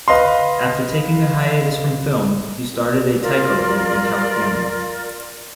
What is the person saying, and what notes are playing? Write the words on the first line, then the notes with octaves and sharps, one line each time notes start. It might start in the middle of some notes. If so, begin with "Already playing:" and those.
After taking a hiatus from film, he started a taiko group in California.
B4 D#5 F5 C6
F4 A#4 D5